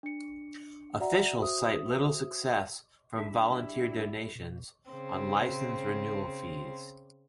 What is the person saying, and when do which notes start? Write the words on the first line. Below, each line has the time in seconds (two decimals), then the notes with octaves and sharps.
Officials cite little success from volunteer donations on license renewal fees.
0.03 D4 C#7
1.00 F#4 D5 E5 F#5 A#5
1.38 F#4 C5 E5 D#6
3.18 G3 D4 E4 E5
4.36 B2
4.91 C#3 C4